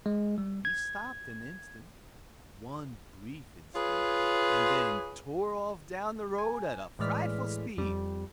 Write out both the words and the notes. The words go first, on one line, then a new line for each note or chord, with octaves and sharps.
He stopped an instant, one brief instant, and then tore off down the road at a frightful speed.
G#3
G3
G#6
F4 G#4 B4 C#5
G#5
A2 E3 G#3 D5 F6 B6
F2 G3